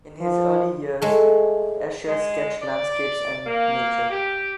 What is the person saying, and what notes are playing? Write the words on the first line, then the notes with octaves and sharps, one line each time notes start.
In his early years, Escher sketched landscapes and nature.
F3
G#3 A3
G#3
D5
A#3
G4